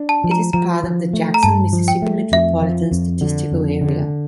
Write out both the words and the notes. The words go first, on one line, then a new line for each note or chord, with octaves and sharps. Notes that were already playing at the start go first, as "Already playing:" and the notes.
It is part of the Jackson, Mississippi Metropolitan Statistical Area.
Already playing: D4
A5
F3
A#5
F3 A#5
F3
A3
A#5
G2 A5
F3
G5
A3
F2 E5
F3
F2
D3
F2
D3